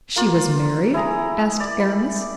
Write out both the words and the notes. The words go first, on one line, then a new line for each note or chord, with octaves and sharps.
"She was married?" asked Aramis.
A#3 F4
E4 G#4 A#5
D5
B5